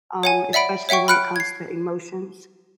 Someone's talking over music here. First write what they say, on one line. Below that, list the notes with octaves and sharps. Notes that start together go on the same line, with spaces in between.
um, especially when it comes to emotions.
C#5 F#5 G#5
D5 E5 F#5 B5 D7
C#5 E5 F#5 G5 C#6
B5 F6 F#6 C#7 D7
G#6 C7